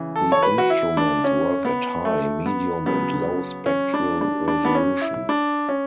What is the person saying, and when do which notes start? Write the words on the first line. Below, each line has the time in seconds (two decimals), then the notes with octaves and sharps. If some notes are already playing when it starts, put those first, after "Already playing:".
The instruments work at high, medium and low spectral resolution.
Already playing: C#3 E3
0.16 A4
0.32 C#5
0.43 B4
0.58 F#4
0.70 E4
0.97 D4
1.24 C#4
1.65 B3
2.05 A3
2.46 B3
2.86 C#3 F#3 B3
3.66 C#4
3.94 D4
4.21 D4
4.48 D4
4.65 B3
4.75 C#4
5.01 E4
5.29 D4
5.69 C#4